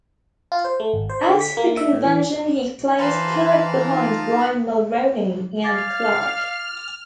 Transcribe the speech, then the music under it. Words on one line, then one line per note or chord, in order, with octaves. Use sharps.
At the convention he placed third behind Brian Mulroney and Clark.
F4
C5
A3
G#1
C5
D3
B6
A#3
E5
A2
E3
E3 B4 C5 F5 A5 A#5
D#4 F4
F5 D6 F6 G#6 A6